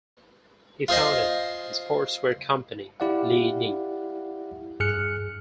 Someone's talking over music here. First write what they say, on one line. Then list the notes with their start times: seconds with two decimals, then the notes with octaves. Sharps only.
He founded the sportswear company Li-Ning.
0.88 F4 G#4 C5 D#5
3.00 E4 G4 D5 F5 F#5
4.80 G2 G#4 F6 F#6 C#7